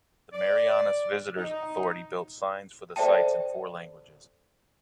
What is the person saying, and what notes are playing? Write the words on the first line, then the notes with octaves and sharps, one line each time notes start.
The Marianas Visitors Authority built signs for the sites in four languages.
D5
D#4
A4 C5 D5 E5 G5 A5